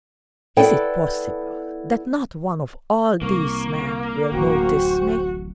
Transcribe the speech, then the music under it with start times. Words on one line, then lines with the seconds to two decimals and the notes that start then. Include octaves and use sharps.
Is it possible that not one of all these men will notice me?
0.57 B3 E4 A4 B4 D5 G5
3.22 C2 A#3 C#6
4.32 D1 A1 F#4 C5 G5 C#6